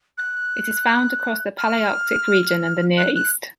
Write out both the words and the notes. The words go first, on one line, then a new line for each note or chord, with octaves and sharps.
It is found across the Palearctic region and the Near East.
F#6
F6
F#6
F#6